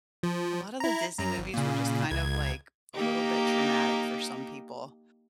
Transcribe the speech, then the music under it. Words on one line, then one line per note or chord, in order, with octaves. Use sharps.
a lot of the Disney movies were just kind of, like, a little bit traumatic for some people.
F3
E4 A#5
F#2 A#5
G#1
A#2 C#3
C#2 G#6
A#3 D#4 G4